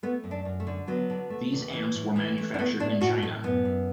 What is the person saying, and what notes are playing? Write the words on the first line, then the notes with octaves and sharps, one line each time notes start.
These amps were manufactured in China.
A3 B3
F#2
D4
F#2
A3
D3
F#3 B3
D3
A3
E2
E3
A2
E3
A3
D4
A3 B3
A2 D4
A2 F#4
A2 A3
F#2 B3
F#2